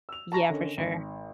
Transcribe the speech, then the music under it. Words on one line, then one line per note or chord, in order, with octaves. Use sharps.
Yeah, for sure.
E6 F7
A5 A#5 C#6 A#6
D3 D#3 C#4
G#1